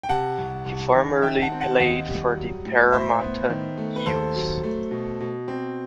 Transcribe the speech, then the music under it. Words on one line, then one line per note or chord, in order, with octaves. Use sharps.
He formerly played for the Parramatta Eels.
G5
C3 F#5 A5
C2
C2
D#3
D#3 E5 G5
F#5 A5
C4
F#5 A5
D#2 D#5 F#5
G3
F#3
A2
A2 C5 E5
B3
D#3
A3
B4
D#2 A4 C5
F#3
A3
B2
B2
C4